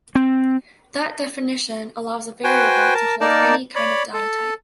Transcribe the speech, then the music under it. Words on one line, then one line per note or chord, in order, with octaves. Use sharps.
That definition allows a variable to hold any kind of data type.
C4
F#4 B4 C5 G5 G#5
A#4 A5
A#3 D#4 A#4 D5 A5
C#5 D5 B5
A4